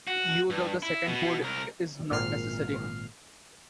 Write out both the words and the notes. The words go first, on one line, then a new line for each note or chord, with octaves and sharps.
Use of the second port is not necessary.
F#4
G2
E4
B2 B3
C2 A#4
G#1 A#2 F6 C7